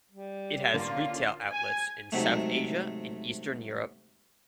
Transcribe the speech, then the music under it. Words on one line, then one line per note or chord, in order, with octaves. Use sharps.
It has retail outlets in South Asia and Eastern Europe.
G3
D3 A#3 C#4 F4
G#5
G#2 C3 F#3 A3